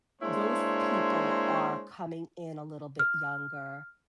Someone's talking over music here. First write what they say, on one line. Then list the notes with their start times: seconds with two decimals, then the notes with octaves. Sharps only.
those people are coming in a little bit younger,
0.21 G#3 A#3 D4 E4 C5 C#5
2.99 F6